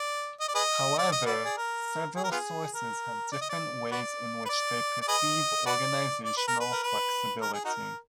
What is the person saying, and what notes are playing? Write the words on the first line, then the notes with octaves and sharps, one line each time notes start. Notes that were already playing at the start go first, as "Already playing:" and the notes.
However, several sources have different ways in which they perceive organizational flexibility.
Already playing: D5
D#5
D5
G#4 B4 D#5
D5
D#5
F#4 B4 D5
G#4
A#4
G#4
A#4
B3 F4 G#4
A#4
D5
D#5
D5
F#4 B4 D5
B4
D5
D5
G#4 B4 D#5
F#4 B4 D5
D5
B4
A#4
B4
A#4
B4
A#4
G#4
D#4 F#4 A#4